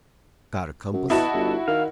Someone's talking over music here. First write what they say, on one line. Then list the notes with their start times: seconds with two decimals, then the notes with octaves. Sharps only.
"Got a compass?"
0.93 F#2
1.10 B2 E4 F#4 D#5 A5
1.33 G1
1.68 D#3 F5